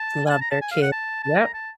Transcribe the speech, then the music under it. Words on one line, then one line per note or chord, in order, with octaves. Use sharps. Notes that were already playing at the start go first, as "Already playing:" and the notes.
Love their kid. Yep.
Already playing: A5
G#5
A5
A#5
A5
G#5
F5
F#5
A5
A5
A#5
A5